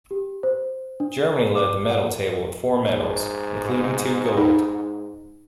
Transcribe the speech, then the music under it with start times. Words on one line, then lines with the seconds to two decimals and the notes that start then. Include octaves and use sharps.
Germany led the medal table with four medals, including two gold.
0.11 G4
0.43 C5
1.00 D4
1.55 D6
1.90 F#5
2.81 G#2
4.37 D#4